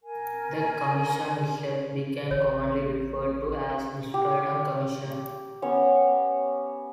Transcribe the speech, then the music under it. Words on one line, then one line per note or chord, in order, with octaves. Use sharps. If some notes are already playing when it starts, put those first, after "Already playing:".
The commission itself became commonly referred to as the Stratton Commission.
A#4 G#5
A1 C#5
G4
B3 C#4 C#5